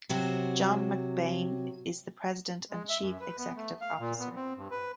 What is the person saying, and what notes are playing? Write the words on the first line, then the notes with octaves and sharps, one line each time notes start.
John McBain is the President and Chief Executive Officer.
C3 F#3 C4 F#4
G#3
E5
F#2
B4
B3
A3
F5
A#2
B3
C4
G2
B4